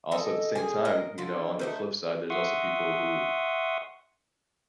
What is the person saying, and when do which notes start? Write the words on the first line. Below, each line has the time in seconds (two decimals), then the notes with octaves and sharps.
also, at the same time, you know, on the flip side, there's also people who
0.11 A4 D#5 G#5
0.55 D3 F4 G#4 G#5
0.85 A#4 D#5
1.18 D3 F4
1.59 A3 D#4 C5
2.30 E5 F#5 C6 C#6 D#6